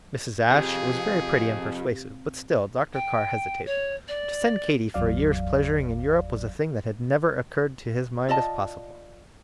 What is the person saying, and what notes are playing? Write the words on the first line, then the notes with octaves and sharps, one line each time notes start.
Mrs. Ashe was very pretty and persuasive, but still Dr. Carr hesitated. To send Katy for a year's pleasuring in Europe was a thing that had never occurred to his mind as possible.
F2 C3 F4 G4 G#4
G5
C#5
D5
G#1 E2 F#3 D5 F5
F4 D5 D#5 A5